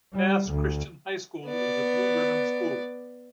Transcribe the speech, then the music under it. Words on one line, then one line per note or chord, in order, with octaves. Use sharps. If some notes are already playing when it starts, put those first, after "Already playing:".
Pass Christian High School is a Blue Ribbon school.
G3
D2
B3 D5